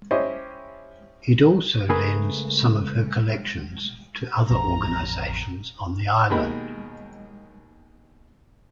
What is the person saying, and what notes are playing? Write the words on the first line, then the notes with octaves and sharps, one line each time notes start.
It also lends some of her collections to other organisations on the island.
C#4 E4 G4 C5 D#5
C#3 A3 G#4 A#4 B4
A1 F2 A#5
D#2 B2 G#3 G4 A#4 B5